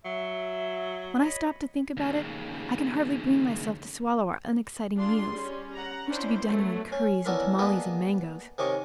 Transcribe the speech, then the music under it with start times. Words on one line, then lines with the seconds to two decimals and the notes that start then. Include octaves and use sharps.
When I stop to think about it, I can hardly bring myself to swallow our unexciting meals; I wish to be dining on curries and tamales and mangos.
0.05 F#3 E5
1.20 C#5 D#5 B5
1.97 D#2 C#3
4.96 D4 F4 G#4 C6
5.30 G3 C#4
5.74 F#5 A#5
6.07 C#4 D4 E4 C5
6.43 F#3 A3 B3
6.92 C#4
7.26 B3 C#4 D4 E4 A#4
7.59 A#3 B3 D4 G#4 B4 D#5
8.58 C3 D#3 C#4 D#5 C#6 D6